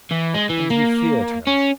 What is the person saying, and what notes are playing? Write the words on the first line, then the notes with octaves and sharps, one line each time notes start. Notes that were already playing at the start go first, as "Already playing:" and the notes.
And he feared her.
E3
G#3
E3
A#3
C#4